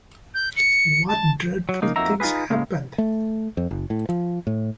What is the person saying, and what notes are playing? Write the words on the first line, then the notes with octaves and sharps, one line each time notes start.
What dreadful things happened?
G6
C#7
A5
F#3
C#3 A#3 D#4
F2 A#3 D#4 F#4 E5 A#5
D#4 F4 F#4 G#4 B4
A2 C#3 G#3 A#3
A3
F2
F#1
A2
F3
A2